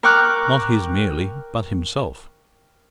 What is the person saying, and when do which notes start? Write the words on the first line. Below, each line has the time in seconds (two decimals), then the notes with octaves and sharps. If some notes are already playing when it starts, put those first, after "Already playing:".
Not his merely, but himself.
0.03 A#4 G5 C#6 D6 F6 F#6